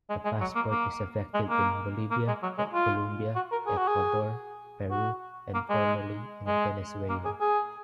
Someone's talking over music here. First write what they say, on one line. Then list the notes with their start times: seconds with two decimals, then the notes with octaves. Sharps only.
The passport is effective in Bolivia, Colombia, Ecuador, Peru and formerly, in Venezuela.
0.10 G#3
0.25 G#3
0.41 F#3
0.55 A#3
0.71 A#3
1.34 G#3
1.50 A#3
2.11 A#3
2.28 G#3
2.43 F#3
2.58 G#3
2.74 F4
3.35 F#4
3.52 A#4
3.67 G#4
3.78 F#4
3.88 G#4
4.91 F#4
5.54 A#3
5.70 G#3
6.47 G#3
7.09 A#3
7.25 G#4
7.41 G#4